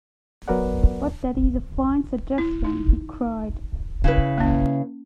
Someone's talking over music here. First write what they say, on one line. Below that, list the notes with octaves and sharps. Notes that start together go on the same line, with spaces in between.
"But that is a fine suggestion," he cried.
F#3 B3 A#4 B4 D5 F#5
E4
D#4
C#3 E4 B4
A#3 C#4